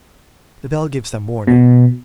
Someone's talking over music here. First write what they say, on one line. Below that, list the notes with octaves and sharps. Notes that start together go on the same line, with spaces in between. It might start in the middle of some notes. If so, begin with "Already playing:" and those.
The bell gives them warning.
B2